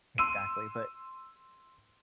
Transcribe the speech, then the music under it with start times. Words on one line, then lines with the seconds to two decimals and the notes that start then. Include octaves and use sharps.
Exactly, but,
0.18 C6 E6 D#7